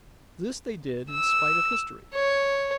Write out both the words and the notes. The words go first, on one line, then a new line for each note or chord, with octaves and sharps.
This they did in spite of history.
E6
C#5